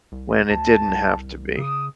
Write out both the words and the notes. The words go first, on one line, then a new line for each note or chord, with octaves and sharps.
when it didn't have to be.
C2
D2 A5
C2
C#3 D#6